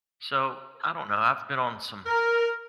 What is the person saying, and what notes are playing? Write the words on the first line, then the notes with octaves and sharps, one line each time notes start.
so, I don't know, I've been on some
A#4